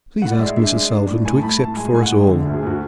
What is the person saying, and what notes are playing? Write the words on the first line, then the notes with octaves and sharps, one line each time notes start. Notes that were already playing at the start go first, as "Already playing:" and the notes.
"Please ask Mrs. Salton to accept for us all."
A2 F#5
D5
G#3 E5
D4 E5
G#3
D4
A2
A2 G#5
A5
A2 B5
A2 A5
G#3 G#5
A2 G#5
F#5
G#3
D3
E5
D2
G#4
D2 F#4